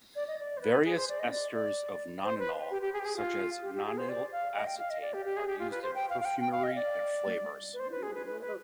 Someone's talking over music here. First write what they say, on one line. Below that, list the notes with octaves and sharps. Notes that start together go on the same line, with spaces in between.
Various esters of nonanol, such as nonyl acetate, are used in perfumery and flavors.
D5
D#5
D5
C5
B4
G#4
C5
D5
D#5
D5
D5
C5
B4
G4
G4
G#4
G4
G#4
F4
G4
G4
G#4
C5
D5
F5
D#5
G5
F5
D#5
D5
G4
G4
G#4
G4
F4
B4
C5
G5
F5
F5
G5
G5
F5
D#5
D5
B4
C5
B4
G#4
B4
B4
B4